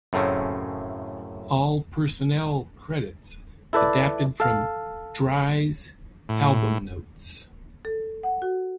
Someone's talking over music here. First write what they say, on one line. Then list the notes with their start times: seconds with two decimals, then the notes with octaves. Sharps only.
All personnel credits adapted from "Dry"s album notes.
0.13 F#2 A2 C#3 A3 C4 C#4
3.73 E4 A4 B4 D5
4.40 A4 F5
6.29 A2
7.85 A4
8.23 F#5
8.42 F#4